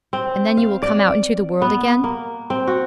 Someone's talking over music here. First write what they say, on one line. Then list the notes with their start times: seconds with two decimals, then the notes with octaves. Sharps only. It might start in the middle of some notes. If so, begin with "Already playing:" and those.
'And then you will come out into the world again?
0.13 C4
0.57 F5
0.82 D5
1.62 B3
2.04 A#3
2.50 C4
2.67 F#4